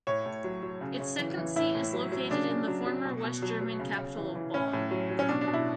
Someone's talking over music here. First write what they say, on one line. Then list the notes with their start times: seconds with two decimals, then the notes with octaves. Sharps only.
Its second seat is located in the former West German capital of Bonn.
0.07 A2 C#5
0.26 A2
0.44 F#3
0.63 F#3
0.81 C#3
1.00 C#3
1.19 E3
1.37 E3
1.56 A2 E4
1.75 A2
1.93 F#3
2.12 F#3
2.30 C#3 D4
2.49 C#3
2.68 F#3
2.86 F#3
3.05 B2
3.24 B2
3.42 F#3
3.61 F#3
3.79 C#3
3.99 C#3
4.17 E3
4.35 E3
4.54 A2 C#4
4.73 A2
4.91 F#3
5.10 F#3
5.19 C#4
5.29 B2 D4
5.41 D4
5.47 B2
5.53 E4